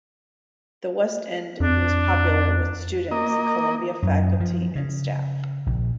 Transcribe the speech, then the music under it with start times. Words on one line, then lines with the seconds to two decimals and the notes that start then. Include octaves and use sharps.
The West End was popular with students, Columbia faculty and staff.
1.60 F2 D4
3.11 A#3 D#5
4.02 F#2
4.40 F3
4.75 C#3
5.66 A#1